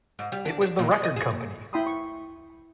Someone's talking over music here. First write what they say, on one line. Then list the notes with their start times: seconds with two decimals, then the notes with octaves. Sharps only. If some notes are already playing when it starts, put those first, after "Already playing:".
It was the record company!
0.19 G#2
0.32 G3
0.45 D4
0.61 D4
0.79 A#2
0.91 G#3
1.03 D#5
1.16 G#4
1.31 D#2
1.73 E4 G5 B5 C6 D#6
1.87 C#6